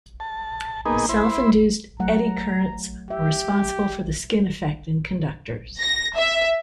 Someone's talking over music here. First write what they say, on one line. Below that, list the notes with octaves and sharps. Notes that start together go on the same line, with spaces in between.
Self-induced eddy currents are responsible for the skin effect in conductors.
A5
A#3 B3 D#4 G#4
E4 C5 B5
F#3 A3 F#5 A#5
G4 E5
A#6
E5